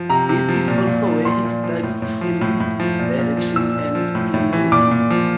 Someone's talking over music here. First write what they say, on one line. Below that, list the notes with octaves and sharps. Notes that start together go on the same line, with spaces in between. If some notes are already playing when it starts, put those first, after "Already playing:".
This is also where he studied Film Direction and Playwriting.
Already playing: F3
C3 A#5
C3
F3
A#2
A#2
F3
A#2 C6
A#2
F3
A2
A2
F3
A2
A2
F3
A#2
A#2
F3
A#2 E6
A#2
F3
A2
A2
E3
A#2 D6
A#2
F3